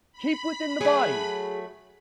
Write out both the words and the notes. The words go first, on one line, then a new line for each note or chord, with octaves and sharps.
Keep within the body!
B5
F#3 A3 G#4